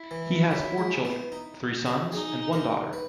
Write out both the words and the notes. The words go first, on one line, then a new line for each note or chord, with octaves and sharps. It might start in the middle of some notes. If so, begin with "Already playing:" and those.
He has four children; three sons and one daughter.
Already playing: E4
E3
F#3
G#3
B3
D#4
F#4
D#4 G#4
A#4
B4